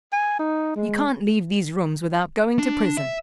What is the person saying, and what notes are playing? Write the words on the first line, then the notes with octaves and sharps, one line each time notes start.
You can't leave these rooms without going to prison.
G#5
D#4
G#3
D4
E5